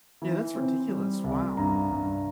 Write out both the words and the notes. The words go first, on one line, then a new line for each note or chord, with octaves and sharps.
Yeah, that's ridiculous. Wow.
E3
C4
G3
C2
G2 A#5
G2